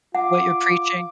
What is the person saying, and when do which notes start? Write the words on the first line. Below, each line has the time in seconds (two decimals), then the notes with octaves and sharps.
what you're preaching?
0.15 F4 F#5 D6